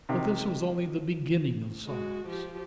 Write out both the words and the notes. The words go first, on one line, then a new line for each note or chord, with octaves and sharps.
But this was only the beginning of sorrows.
C3 D#3
G#3 F#4
F3 G4